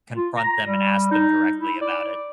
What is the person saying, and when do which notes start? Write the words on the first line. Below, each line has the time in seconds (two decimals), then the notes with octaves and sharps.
confront them and ask them directly about it.
0.17 F4
0.37 A#5
0.67 G3
1.11 D#4
1.61 E4
1.81 D5